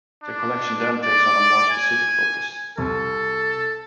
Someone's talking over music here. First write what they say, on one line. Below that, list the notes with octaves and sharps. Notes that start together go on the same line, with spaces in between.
Their collection then takes on a more specific focus.
D4
D5
G#5
C2 A4